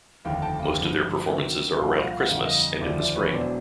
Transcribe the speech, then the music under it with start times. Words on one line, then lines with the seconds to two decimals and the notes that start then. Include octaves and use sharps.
Most of their performances are around Christmas and in the Spring.
0.25 F1 D#2 D3 F5 G5
0.42 G5 A5
0.59 F5 G5
0.76 G#1 G2 D3 F3
1.27 D2 C3 D#3 F#3
1.80 C2 A#2 F3 F5
1.88 F#5
1.95 F5
2.04 F#5
2.12 F5
2.20 F#5
2.29 G1 F2 D3 F5
2.37 F#5
2.45 D#5 F5
2.81 F1 D#2 D3 F3 D5 E5
2.98 C5 D5
3.15 B4 C#5
3.33 E1 E2 B2 F#3 C5 D5